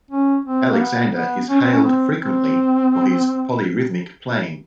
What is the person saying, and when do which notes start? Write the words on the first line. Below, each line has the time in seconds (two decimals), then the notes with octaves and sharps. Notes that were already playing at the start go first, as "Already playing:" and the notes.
Alexander is hailed frequently for his "polyrhythmic" playing.
0.11 C#4
0.45 C4
0.73 A#3
0.80 B3
1.15 B3
1.49 C#4
1.61 C4
1.72 C#4
1.84 C4
2.19 C4